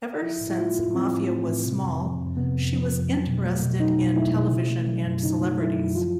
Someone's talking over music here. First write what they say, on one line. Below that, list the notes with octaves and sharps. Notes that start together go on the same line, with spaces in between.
Ever since Maffia was small, she was interested in television, and celebrities.
F3 E4
A2
E4
A3 F4
A2
F3 C4
A2
A3
A2
C3
F2
F3
F2
C3 B3
F2
F3
F2
F#3
B2
A3
B2
F#3 D#4
B2
A3 E4
B2
C#3
A3
F#3
F#2
C#3 D#4
A3
F#3 E4
F#2
F3 F4